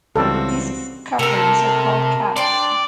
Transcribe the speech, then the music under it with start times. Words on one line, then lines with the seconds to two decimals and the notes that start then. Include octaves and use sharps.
These coverings are called "caps".
0.16 C#2 E3 G3 C4 F#4 A4
1.19 C3 A4 A#4 A5 E6
2.36 D4 D5 G5 C6